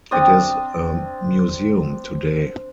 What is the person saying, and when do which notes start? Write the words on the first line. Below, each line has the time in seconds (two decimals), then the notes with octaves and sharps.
It is a museum today.
0.11 C4 D4 D#6